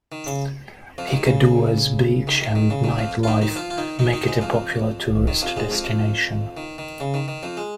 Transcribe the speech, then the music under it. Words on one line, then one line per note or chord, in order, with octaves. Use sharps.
Hikkaduwa's beach and night life make it a popular tourist destination.
D#3
C#3
F2 F3
D#3
C#3
D#3
D#3
D#3
C#3
D#3
F2 F3
F4
D#3 D#4
D#3 D#4
F3 F4
F4
D#3 D#4
D#3 D#4
D#3 D#4
G#2 G#3
F2 F3
D#3
F2 F3
G#2 G#3
F2 F3
D#3
D#3
C#3
D#3
D#3
F2 F3
G#3